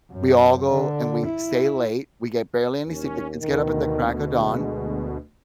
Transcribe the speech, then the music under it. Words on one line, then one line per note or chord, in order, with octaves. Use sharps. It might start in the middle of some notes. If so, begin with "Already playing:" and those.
we all go and we stay late, we get barely any sleep, the kids get up at the crack of dawn,
F#2
D3
E4
D#2 C#4
D2 B2 D#3
G#3